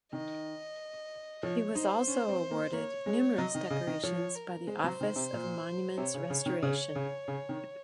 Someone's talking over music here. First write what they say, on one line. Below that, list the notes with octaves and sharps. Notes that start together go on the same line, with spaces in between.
He was also awarded numerous decorations by the Office of Monuments Restoration.
D#3 D#5
F3 C#5
D#4 C5
C#4
C4
A#3
A#3 C#5
G#3
F#3 D#5
D#3
C#3
D#3
F3 C#5
A#4
G#3 C5
F#3
D#3
C3
A#2
C3 C#5
C#3
C#3
D#3
C#3
C#3
C#3
D#3